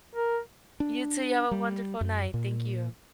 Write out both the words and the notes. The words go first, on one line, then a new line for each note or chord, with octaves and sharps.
You too. You have a wonderful night. Thank you.
A#4
D4
G3
F#2
A#2